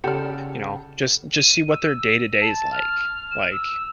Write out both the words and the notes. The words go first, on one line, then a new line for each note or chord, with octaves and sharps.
you know, just just see what their day to day is, like like,
C#3 G4 A4 D5 F#5 F6
D#7
E6
A5
F6
E7
E6